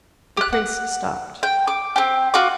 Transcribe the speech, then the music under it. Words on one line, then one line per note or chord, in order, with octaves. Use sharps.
The prince stopped.
G4 F#6
F#5
G5
D6
C4 G4
F4 F#4 F#5 D6